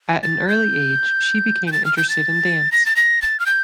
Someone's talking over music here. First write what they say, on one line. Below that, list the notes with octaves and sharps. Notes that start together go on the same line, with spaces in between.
At an early age she became interested in dance.
A6
G6
G6
A6
F6
G6
A6
A#6
A6
A#6
A6
F6
G6